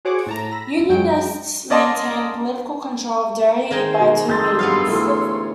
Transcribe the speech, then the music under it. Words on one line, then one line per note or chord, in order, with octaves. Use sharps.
Unionists maintained political control of Derry by two means.
F#4 G#4 C5 C#5 F#5 D6
A2 A5 A#5
B5 E6 A#6
F#2 F#3 G#3 G5 D7
C#4 D5 D#5 A5 C6
D#3 G#3 D#4 C5
B2
F2 C6 E6 G6 A6
G2 B3 F4 F5
A1 D2
C#5